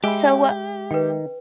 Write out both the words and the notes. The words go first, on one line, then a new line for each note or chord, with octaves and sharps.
So, uh
G#3 G4 E5 G#5 B5
D#3 B4 G5